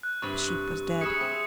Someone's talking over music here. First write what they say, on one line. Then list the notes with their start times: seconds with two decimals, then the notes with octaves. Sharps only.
The sheep was dead.
0.03 F#6
0.22 G2 C3 B5 C#6
1.01 G#4 E5 B5 D#6 C#7
1.21 C4